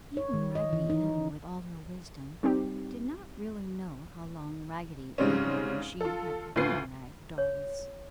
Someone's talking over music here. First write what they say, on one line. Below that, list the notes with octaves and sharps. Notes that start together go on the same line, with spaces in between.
Even Raggedy Ann, with all her wisdom, did not really know how long Raggedy Andy and she had been rag dolls.
C#5
D#3
D#5
E3
D#4
G3 C4 D#4 G4
G#2 C#3 G3 G#3 C4 C#4
F4 A4
D2 A2 F4 B4 C7
C#5